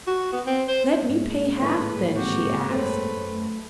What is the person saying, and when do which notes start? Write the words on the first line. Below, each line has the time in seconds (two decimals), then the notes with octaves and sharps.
'Let me pay half, then,' she asked.
0.07 F#4
0.32 B3
0.46 C4
0.68 C5
1.09 G#2 G#3 A#3
1.62 C#2 A2 E3 G#4 B4
2.14 C4 F#4 G4
2.70 F#2 A3 C4 B4 C#5
3.30 A3